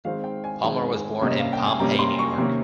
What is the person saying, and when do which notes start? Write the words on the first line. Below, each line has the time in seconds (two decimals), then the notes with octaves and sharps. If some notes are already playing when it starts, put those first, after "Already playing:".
Palmer was born in Pompey, New York.
0.05 D#3 G#3 C4 F5
0.24 G5
0.44 G#5
0.63 D#3 G#3 C4
1.21 C3 G3 A#3 C#4 D#5
1.39 F5
1.53 G5
1.66 G#5
1.79 C3 G3 A#3 C#4 A#5
1.99 C6
2.19 C#6
2.38 C3 D#3 A#3 C#4